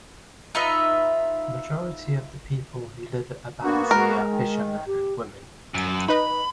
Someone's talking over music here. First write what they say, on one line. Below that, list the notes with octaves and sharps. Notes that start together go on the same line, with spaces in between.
Majority of the people who live at Abandze are fisher men and women.
D#4 F4 B4 E5
A#3 B3 D4 F#4
G#3 A#4
D#3
G4
F#2
D#4 B4 D#5 B5